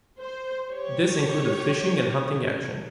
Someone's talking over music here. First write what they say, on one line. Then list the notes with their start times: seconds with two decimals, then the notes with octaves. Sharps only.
This included fishing and hunting action.
0.19 C5
0.70 G4 C#5